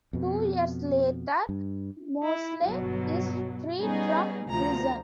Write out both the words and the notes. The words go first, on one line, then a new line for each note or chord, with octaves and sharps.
Two years later, Mosley is freed from prison.
F2 B2
G2
E4
G1 B2 F#3
G3 B3 C#4 D#4 G#4
D2 C3 F3 A#5